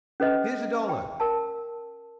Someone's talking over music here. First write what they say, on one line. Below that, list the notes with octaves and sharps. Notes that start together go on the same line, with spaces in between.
Here's a dollar.
C#4 A4 B4 D#5
G5
A#4 A5